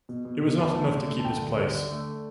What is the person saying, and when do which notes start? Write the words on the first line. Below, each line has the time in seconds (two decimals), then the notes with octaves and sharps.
It was not enough to keep his place.
0.09 B2
0.25 B2
0.42 B2
0.58 D2 A5
0.75 A3
0.91 D3
1.08 A3
1.20 A5
1.25 D2 G5
1.41 D2
1.58 D3
1.74 D3
1.91 A3